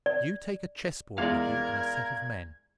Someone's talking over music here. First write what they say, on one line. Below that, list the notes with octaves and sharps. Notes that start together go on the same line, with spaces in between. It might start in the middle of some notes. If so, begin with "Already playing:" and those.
You take a chessboard with you and a set of men.
D5
E2 G#3 A#4 D5 F5 G#6